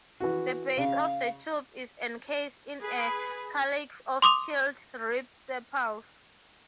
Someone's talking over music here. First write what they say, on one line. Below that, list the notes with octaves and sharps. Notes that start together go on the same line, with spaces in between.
The base of the tube is encased in a calyx of keeled, ribbed sepals.
E3 F#4
C#3 F5
G#4 B4
C6 D6 D#6 F7